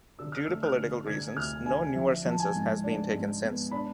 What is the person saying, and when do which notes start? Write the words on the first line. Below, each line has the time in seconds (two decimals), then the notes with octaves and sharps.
Due to political reasons, no newer census has been taken since.
0.19 D3 E6
0.32 F6
0.46 A3 E6
0.63 F6
0.77 D3
1.07 D3 G#6
1.37 D2 F6
1.66 D3 G#5
1.95 F3 E5
2.25 F3 A5
2.39 G#5
2.55 G#2
2.84 D4
3.13 G#2
3.42 B3
3.71 D4 B5